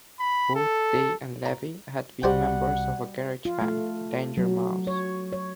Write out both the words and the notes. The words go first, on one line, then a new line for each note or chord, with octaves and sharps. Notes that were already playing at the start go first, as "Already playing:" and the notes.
Both Day and Levi had been members of a garage band, Danger Mouse.
B5
A4
A#5
C2 G3 F#4 G4 C5 F#5 G5
F4
A3
F#3
C#5
C#5